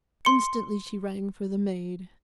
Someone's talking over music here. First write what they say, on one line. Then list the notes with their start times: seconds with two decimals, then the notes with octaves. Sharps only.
Instantly she rang for the maid.
0.25 C6 C#7